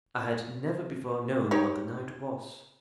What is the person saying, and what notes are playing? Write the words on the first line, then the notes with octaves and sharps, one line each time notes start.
I had never before known what the night was.
D#4 G4 C#5